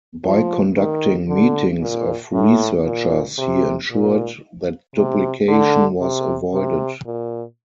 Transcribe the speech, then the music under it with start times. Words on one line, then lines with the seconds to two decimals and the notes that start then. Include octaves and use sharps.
By conducting meetings of researchers he ensured that duplication was avoided.
0.24 F3
0.76 D#3
1.28 D3
1.80 A#2
2.33 A2
2.85 A#2
3.38 C3
3.91 A#2
4.95 C3
5.48 D3
6.01 C3
6.53 C3
7.06 A#2